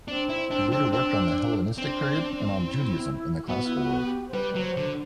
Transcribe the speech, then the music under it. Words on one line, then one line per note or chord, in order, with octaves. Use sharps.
He later worked on the Hellenistic period and on Judaism in the classical world.
C4 D4
E4
D4
D4
D4
C4 D4
E4
G4
B3 F#4
E4
F#4
G4
C5
G3 B4
F#3
C5
D3